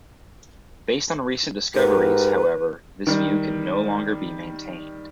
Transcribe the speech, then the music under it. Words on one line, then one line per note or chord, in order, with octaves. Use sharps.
Based on recent discoveries, however, this view can no longer be maintained.
G#2 G4 A#4 B4
D#3 G3